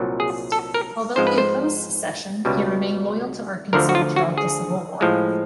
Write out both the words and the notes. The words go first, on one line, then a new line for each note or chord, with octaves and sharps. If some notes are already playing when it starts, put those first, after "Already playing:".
Although he opposed secession, he remained loyal to Arkansas throughout the Civil War.
Already playing: C2 A#2 F#3
G#4
A4
A#4
G#2 F3 G#3 C5
B4
C5
C#2 B2 G3
D2 D3 F3 A#4
F#4
F4
F#4
G#4
A2 F3 G#3